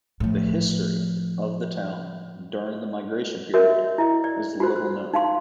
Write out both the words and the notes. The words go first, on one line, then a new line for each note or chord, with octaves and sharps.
The history of the town during the Migration Period is little known.
A2 F3
F#4 A#4 C#5 D#5 E5
E4 D#5
D5
F4 F#4 C5
C5
D#4 F5 C6